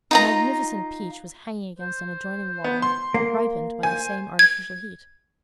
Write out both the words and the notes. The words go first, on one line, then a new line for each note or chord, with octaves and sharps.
A magnificent peach was hanging against an adjoining wall, ripened by the same artificial heat.
D#4 F4 A#5
C5
B3
C6
A#3
C5 G#5
G#6